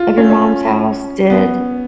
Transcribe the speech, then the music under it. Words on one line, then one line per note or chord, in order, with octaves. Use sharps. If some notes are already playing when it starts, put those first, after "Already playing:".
of your mom's house, did
Already playing: F4
C#4
C#4
B3